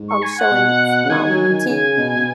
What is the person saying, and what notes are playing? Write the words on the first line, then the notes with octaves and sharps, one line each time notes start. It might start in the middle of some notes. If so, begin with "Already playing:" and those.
um, showing, s um, TV
Already playing: G#2
C#6
G#5
F#5
B2
C#3
D#3 G#5
F#3
D#3
C#3 G#5
B2
B2